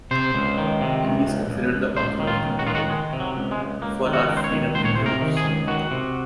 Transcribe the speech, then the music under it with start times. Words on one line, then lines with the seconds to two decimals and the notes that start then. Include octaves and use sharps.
He is considered the author of the motto: "For our freedom and yours".
0.11 C3 C5
0.34 C#2
0.58 D#3
0.81 C3
1.04 C#2
1.27 C#2
1.50 C#2
1.73 C#2
1.96 C#2 C5
2.20 D#3
2.27 F4
2.43 C#2
2.59 F#4
2.67 D#3 F4
2.75 F#4
2.89 D#3 G#3
3.13 C3
3.20 F#3
3.36 C#2
3.51 G#3
3.59 C#2
3.82 C#2 A#3
4.05 D#3
4.13 F#4
4.28 C#2 A#4
4.37 C5
4.44 C#5
4.52 D#3
4.74 C#2 C5
4.85 C#5
4.95 C5
4.98 C3
5.06 A#4
5.21 D#3
5.37 G#4
5.45 C#2
5.67 D#3 F#4
5.91 C3